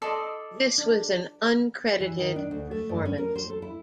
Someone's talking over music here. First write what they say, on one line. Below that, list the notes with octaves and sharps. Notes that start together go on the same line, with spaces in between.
This was an uncredited performance.
A4 D5 D#5 C6 E6
D4
E3
D#3
D4
D2
A3
G2
C#4
A#4
C5
A4
E4